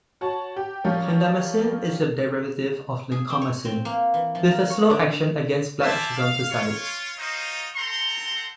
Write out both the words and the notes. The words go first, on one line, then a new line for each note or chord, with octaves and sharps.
Clindamycin is a derivative of lincomycin, with a slow action against blood schizonticides.
F#4 C#5 A5
G4
F3 G3 C#4 F4 A#4
G#4
C4
C#5
C4
A#3
E3
F3
A#4
C#5
D3
C5 D5 E5 G#5 A5
F5
F4 C#5
D#4 F4 F#4 C5 D#5
C4 A4 F#5 A#5 C6